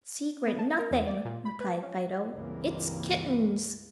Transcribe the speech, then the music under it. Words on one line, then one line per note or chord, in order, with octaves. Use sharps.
"Secret nothing," replied Fido, "It's kittens!"
B3
A5
A#4
E2
D5
A#2
B5
B4
C#4
C#2 G2 E3 A#3 C4